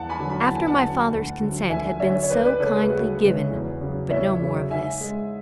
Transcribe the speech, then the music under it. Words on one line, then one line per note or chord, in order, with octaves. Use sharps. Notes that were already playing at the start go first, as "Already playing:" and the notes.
After my father's consent had been so kindly given--but no more of this.
Already playing: E2 F#5 A5
G#5 B5
D3 F#3
B5
A5
E2
G#5
F#5 A5
D3 F#3
D2
D3 F#3
D2 E5 G#5
D3 F#3 C#5 E5
C#5
D2 B4 D5
B4 D5
C#3 G#3 A4 C#5
G#4 B4
D2 F#4
C#3 G#3
E2
C#3 F#3
E2 C#5 E5
C#3 F#3
G#2 E5 G#5
G#3